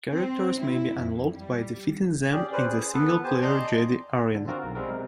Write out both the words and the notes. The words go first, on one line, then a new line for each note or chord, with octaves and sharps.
Characters may be unlocked by defeating them in the single player Jedi arena.
C4
E4
F2
G3
C#4 G4 G#4 D5
C#4 B4 C5 D5
G#4
B3 A4 B4
G4 C5 G#5 A5
D5 D#5 A5 A#5 C6
D3
C4 F4 F#4 A#4
B1
G3 G#3 C4 A#4
C3